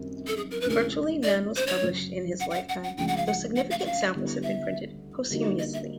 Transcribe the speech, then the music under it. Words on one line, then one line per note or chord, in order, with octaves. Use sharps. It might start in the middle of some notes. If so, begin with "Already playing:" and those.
Virtually none was published in his lifetime, though significant samples have been printed posthumously.
Already playing: F#2 D#3 G3 C4
A4
G#4
A#4
B4
D2 C3 E3 G#3 C#4 A#4
D5
C5
C#5
F#2 C#3 F#3
F#5
G5
F#5
F#5
F#5
D2 C#3 F3 G#3 C#4 G5
F#5
F5
F#5
F#5
F5
F#5
F5
D3 G3 B3 E4
E5
D3 G3 A#3 D#4 F#4
D#5
E5